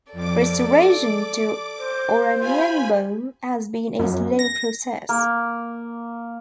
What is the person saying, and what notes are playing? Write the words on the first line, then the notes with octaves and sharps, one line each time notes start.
Restoration to Oranienbaum has been a slow process.
F2 A4 D5 D6
D6
C5
F4 G4 G#5 B5
F#2
A#6
A#3